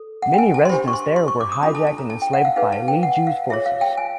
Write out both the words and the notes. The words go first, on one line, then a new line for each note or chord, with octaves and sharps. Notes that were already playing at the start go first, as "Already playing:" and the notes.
Many residents there were hijacked and enslaved by Li Jue's forces.
Already playing: A4
F#5
G5
G#5
A5
C6
D4 G4 C5 B5
C#6
C6
C6
C#6
D6
D#6
D4 F4 A4 B5
A5
A5
A#5
A5
G5
F#5
F5
D#4 G#4 B4 F5
A5
G5
F#5
F#5
F5
F4 G#4 C#5 E5
F5
G5
G#5